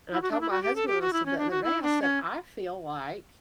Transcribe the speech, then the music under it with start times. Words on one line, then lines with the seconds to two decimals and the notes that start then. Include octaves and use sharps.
And I told my husband, I said the other day, I said, "I feel like"
0.12 E4
0.22 F#4
0.31 D4
0.41 E4
0.50 F#4
0.63 G4
0.76 A4
0.88 G4
1.01 F#4
1.13 E4
1.26 C#4
1.38 D4
1.51 F#4
1.64 E4
1.83 D4
2.02 C#4